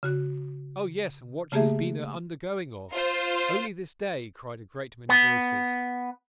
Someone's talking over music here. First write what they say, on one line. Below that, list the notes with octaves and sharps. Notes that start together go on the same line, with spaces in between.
'Oh yes, and what she's been a undergoing of, only this day,' cried a great many voices.
C#3 F#4 F#6
C#3 A3 A#3 G4 G#4 E5
F4 C5
B3